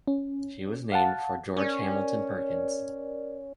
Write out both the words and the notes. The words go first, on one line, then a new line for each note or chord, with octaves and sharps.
She was named for George Hamilton Perkins.
C#4
F5 F#5 A5
C#4 A#4 D5